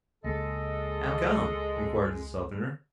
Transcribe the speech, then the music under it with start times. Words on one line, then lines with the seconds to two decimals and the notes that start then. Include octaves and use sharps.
"How come?" inquired the Southerner.
0.24 C#2 G#3 A#3 A4 D#5